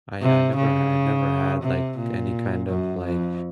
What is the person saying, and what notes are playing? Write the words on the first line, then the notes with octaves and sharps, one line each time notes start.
I I never I've never had, like, any kind of, like,
C3
C#3
C3
A#2
F#2
F2